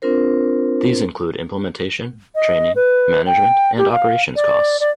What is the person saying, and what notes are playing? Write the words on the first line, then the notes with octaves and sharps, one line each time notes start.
These include implementation, training, management, and operations costs.
C4 D4 F4 A#4 C5
D#5
B4
G5
G4
F5
D5
D5